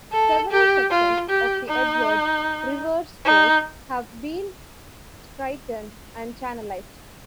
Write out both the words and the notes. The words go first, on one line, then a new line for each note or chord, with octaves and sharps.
Several sections of the Edwards River's course have been straightened and channelized.
A4
G4
F4
G4
D#4
D#4